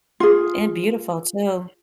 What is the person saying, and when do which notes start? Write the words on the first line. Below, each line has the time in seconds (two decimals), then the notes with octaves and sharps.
And beautiful too.
0.20 F4 G#4